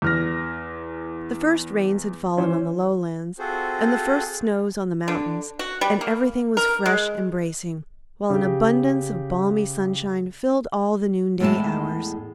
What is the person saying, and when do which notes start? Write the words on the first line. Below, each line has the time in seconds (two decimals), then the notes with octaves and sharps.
The first rains had fallen on the lowlands, and the first snows on the mountains, and everything was fresh and bracing, while an abundance of balmy sunshine filled all the noonday hours.
0.02 E2 F6 A#6
2.37 E3 C#4 C5
3.39 C4 F4 F#4 G#4 A4 C5
5.08 D3
5.59 F#4
5.81 G3
6.01 A#3
6.57 A#4
6.86 G#3
8.30 C#3 G4
11.40 E2 A2 G#3 E4 E5 A5